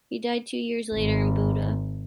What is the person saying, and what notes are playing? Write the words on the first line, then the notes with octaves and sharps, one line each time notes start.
He died two years later in Buda.
G#1